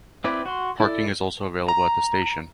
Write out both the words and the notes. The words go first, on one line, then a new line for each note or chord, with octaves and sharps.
Parking is also available at the station.
C4 E4 B4 D5
F#4 C6
E4 A4 D5
A#5